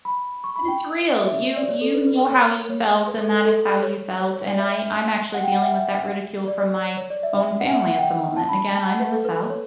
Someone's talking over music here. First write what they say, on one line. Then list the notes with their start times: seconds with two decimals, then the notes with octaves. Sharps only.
But it's real, you you know how you felt, and that is how you felt, and I I'm actually dealing with that ridicule from my own family at the moment. Again, I'm in the South,
0.05 B5
0.44 C#6
0.56 B5
0.68 G5
1.18 E5
1.56 D5
1.69 C#5
1.81 A4
1.94 B4
2.07 B4
2.20 B4
2.32 C#5
2.70 C#5
3.07 B4
3.21 A4
3.32 A4
3.45 A4
3.83 C#5
4.21 C#5
4.34 C#5
4.46 D5
4.59 E5
5.34 F#5
5.44 G5
5.53 F#5
5.62 E5
6.48 D5
6.60 D5
6.97 C#5
7.10 D5
7.23 E5
7.60 F#5
7.73 E5
7.86 F#5
7.99 G5
8.37 A5
8.49 B5
8.74 A5
8.87 F#5
9.00 B4
9.12 A4
9.25 B4
9.37 B4
9.50 C#5